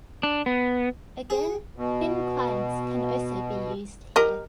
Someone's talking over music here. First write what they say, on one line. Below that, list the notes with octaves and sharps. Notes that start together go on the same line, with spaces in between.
Again, thin clients can also be used here.
D4
B3
G#4
B2
G4 A#4 D#5